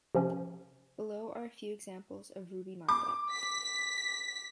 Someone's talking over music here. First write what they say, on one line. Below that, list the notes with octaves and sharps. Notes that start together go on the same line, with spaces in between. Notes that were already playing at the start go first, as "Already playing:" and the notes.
Below are a few examples of ruby markup.
C3 F3 C#4
D6
B6